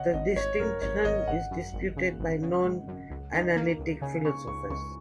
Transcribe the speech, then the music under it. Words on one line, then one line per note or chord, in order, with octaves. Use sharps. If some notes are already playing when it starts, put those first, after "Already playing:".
The distinction is disputed by non-analytic philosophers.
Already playing: G#1 C#3 C#5 D#5 F#5
G#1 D#5
G#1 C#5
F#2 A#4
G#1 C#5
G#1 D#5
G#1 F#5
F#2
G#1
C#3
G#1
C#3
G#1
F#2
C#2
D#4
A#3
C#2
C#3 G#5
C#3 C#6
C#2 C#6
C#2 C#6